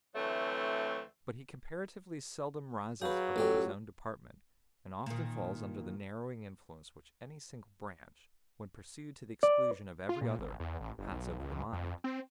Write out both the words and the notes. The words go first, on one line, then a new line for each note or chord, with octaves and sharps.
But he comparatively seldom rises above his own department, and often falls under the narrowing influence which any single branch, when pursued to the exclusion of every other, has over the mind.
D2 E3 F#3 A3 C4
F#3 F#4 G#4 B4 F5 G6
A1 C#4 F4 G4 A4 C#5 G5
A#2 D#3
D5
F4
A#2
G#1
E2
A1
G1
B1
C#2
F2
C4